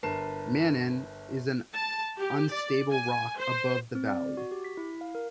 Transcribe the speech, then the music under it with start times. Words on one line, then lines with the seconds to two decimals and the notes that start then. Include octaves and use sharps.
"Mannen" is an unstable rock above the valley.
0.03 G1 A#4 B4 A5 C7 E7
1.73 A5
2.18 G4
2.51 D5
2.91 G#5
3.38 C5
3.95 C4
4.07 D5
4.37 F#4
4.51 G4
4.64 B6
4.77 E4
5.01 F5
5.15 A#4